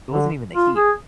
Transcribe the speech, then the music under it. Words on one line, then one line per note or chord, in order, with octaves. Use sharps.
it wasn't even the heat.
D3
F4
G#4